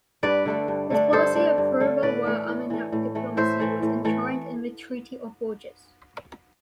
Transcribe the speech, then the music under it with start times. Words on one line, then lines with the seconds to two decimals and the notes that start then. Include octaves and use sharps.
His policy of pro-Valois Armagnac diplomacy was enshrined in the Treaty of Bourges.
0.23 G2 B4 D5
0.45 D3 A3 D4
0.68 G2
0.90 D3 A3 D4
1.12 G2 A4 C5
1.35 D3 A3 D4
1.58 G2
1.80 D3 A3 D4
2.02 A2 B4 D5
2.25 E3 A3
2.48 A2
2.70 E3 A3
2.92 A2
3.15 E3 A3
3.37 A2 C5 E5
3.60 E3 A3
3.82 A2
4.05 E3 A3